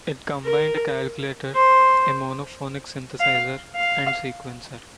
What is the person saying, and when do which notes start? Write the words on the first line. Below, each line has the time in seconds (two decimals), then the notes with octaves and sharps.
It combined a calculator, a monophonic synthesizer, and sequencer.
0.45 A#4
1.56 C5
3.20 F5
3.76 F5